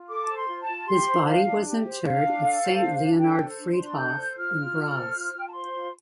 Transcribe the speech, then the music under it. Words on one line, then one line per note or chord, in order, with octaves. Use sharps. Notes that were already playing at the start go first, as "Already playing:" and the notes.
His body was interred at Saint Leonhard-Friedhof in Graz.
Already playing: F4
A4 D6
A5
C5
C6
F4
A5
F4
G4 C6
C5
D4 F5
D4
G4
C5
D4 F5
D4
A4
C5
D4
D4
A4 G5
C5
D4
C6
D4
A4 G6
C5
F4 F6
F4
A4
C5
F4
F4 G5
A5
C5 C6
F4